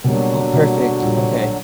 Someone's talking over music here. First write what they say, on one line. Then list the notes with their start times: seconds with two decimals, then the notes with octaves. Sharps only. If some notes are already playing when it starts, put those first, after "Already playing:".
Oh, perfect, okay.
0.04 B2 D3 F#3 G3 A#3
0.53 B2 G3 A#3
1.02 A#1 A#2 G3